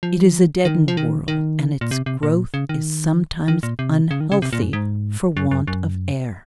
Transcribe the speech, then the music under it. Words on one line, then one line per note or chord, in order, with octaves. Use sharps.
It is a deadened world, and its growth is sometimes unhealthy for want of air.
F3
D#3
F3
D#3
D#3
A#2
C3
C3
A#2
C#3
D#3
D#3
A#2
C3
C#3
D#3
C#3
C3
A#2
F#2
G#2
F#2
F#2
F#2